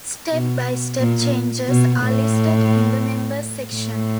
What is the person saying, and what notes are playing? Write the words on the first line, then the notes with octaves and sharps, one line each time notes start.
Step-by-step changes are listed in the Members section.
B2
A#2
B2
A2
A2